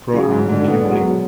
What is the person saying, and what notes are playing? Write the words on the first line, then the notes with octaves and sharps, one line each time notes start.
Pro-Am in gameplay.
C#3 F#3
G#2
G#2 D3
B3
F#3 G#3
B2